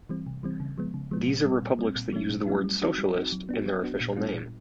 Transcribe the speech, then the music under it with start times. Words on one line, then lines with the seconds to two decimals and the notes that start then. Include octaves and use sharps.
These are republics that use the word "socialist" in their official name.
0.09 E3 G3 C4
0.26 C3
0.43 E3 G3 C4
0.60 C#3
0.78 F3 G#3 B3
0.94 C#3
1.11 F3 G#3 B3
1.28 A#2
1.45 G3 C4
1.62 A#2
1.79 G3 C4
1.96 A#2
2.13 F#3 A3 C#4 E4
2.30 A#2
2.47 F#3 A3 C#4 E4
2.64 G3
2.82 C4 D#4 F#4
2.98 G3
3.16 C4 D#4 F#4
3.32 F#3
3.49 B3 D4 F#4
3.66 F#3
3.83 B3 D4 F#4
4.01 A#2
4.16 G3 B3 D4 F4
4.34 A#2